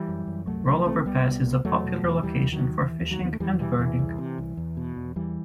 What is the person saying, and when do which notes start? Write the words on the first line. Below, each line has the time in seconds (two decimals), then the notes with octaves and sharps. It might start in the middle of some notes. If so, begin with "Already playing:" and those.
Rollover Pass is a popular location for fishing and birding.
Already playing: E3 G3
0.08 F#2
0.27 F#2
0.47 C2 F#3 A3
0.66 C3 F#3 A3
0.86 C2 A3 C4
1.05 C2 G3 B3
1.25 B2
1.45 C2
1.65 E2 F#3 A3
1.84 B2
2.03 E2
2.23 D#2 E3 G3
2.42 D#2
2.52 D#3 F#3
2.62 D#2
2.81 D#2 E3
3.01 D#2
3.11 D#3 F#3
3.21 D#2 B3
3.33 A3
3.40 E2 E3 G3
3.54 F#3
3.60 B2 E3 G3
3.79 E2 E3
3.99 C2
4.18 C3
4.38 C2
4.57 E2
4.77 B2
4.96 E2
5.16 E2 E3 G3